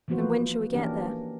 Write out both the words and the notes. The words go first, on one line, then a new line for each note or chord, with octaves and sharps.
"And when shall we get there?"
E3 F3 A#3 B3 F#4 C5
E3 A#3 C#4 D4 G4 A#4